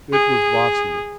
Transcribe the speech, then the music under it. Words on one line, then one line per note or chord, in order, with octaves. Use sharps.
It was Vasily.
G#4